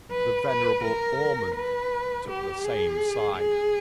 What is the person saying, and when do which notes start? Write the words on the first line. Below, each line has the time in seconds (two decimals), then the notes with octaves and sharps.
The venerable Ormond took the same side.
0.11 B4
0.48 B4
0.84 A#4
1.56 B4
2.28 G4
2.64 G#4
3.36 G#4